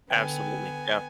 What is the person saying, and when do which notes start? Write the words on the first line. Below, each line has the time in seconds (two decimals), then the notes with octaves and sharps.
Absolutely, yeah.
0.10 D3 B3 G5 G#5